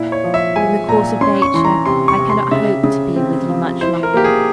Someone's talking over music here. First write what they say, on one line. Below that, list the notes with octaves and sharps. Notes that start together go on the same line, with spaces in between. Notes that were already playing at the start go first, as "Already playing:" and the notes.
In the course of nature, I cannot hope to be with you much longer.
Already playing: A#2 E4
C#5
F3
E5
G#3 G#5
A#2 A#5
C#4 C6
C#6
E3 C6
A#5
C3 C6
C#6
C3
C6
C#3 E5
C#3
C4
F3
E4 C5
A#4
A#3 G4
G#4